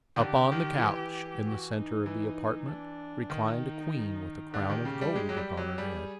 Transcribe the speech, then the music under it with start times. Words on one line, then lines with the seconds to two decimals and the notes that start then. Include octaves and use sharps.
Upon the couch in the centre of the apartment reclined a queen with a crown of gold upon her head.
0.16 D#3
0.20 D3 G4
0.52 D#3
0.78 F3
0.83 E3
1.45 F#4
1.75 D#4
2.06 E3
2.68 D4
3.30 D#3 D#4
4.54 D3 G4
4.70 D#3
4.85 C#3
5.01 G3
5.16 G#3
5.29 F#3
5.37 G3
5.57 F#3
5.78 G3 G#4